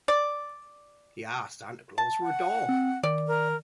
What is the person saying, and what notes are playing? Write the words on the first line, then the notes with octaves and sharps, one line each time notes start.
He asks Santa Claus for a dog.
D5
A5
F#5
C4
D#3 D5
A#4